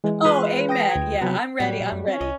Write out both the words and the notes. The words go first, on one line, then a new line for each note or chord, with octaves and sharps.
Oh, amen. Yeah. I'm ready. I'm ready.
E3 G#3
F4 G#4 B4
G5 D#6 A#6
D2 G#6
C3 F#3 B3
A2 F#3 G3
A#2
F#2
C4 C#4
C2 D#5